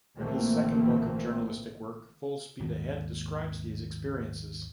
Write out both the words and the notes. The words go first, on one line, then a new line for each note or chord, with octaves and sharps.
His second book of journalistic work, "Full Speed Ahead", described these experiences.
A#1 D3 E3 A3 A#3 C4
G#1 D#2 G#3